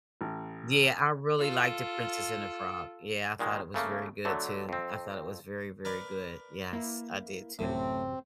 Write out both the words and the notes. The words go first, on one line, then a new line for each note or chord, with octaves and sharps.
Yeah, I really liked The Princess and the Frog, yeah, I thought it was very good too, I thought it was very, very good, yes, I did too.
A1
F4 A4
A#2 D#3 G#3
C#3 A3 A#3
D3 F#3 A3
F2 C4
A#4 B4 D5
A#3 E4
A1 F#2 A2 C3 C4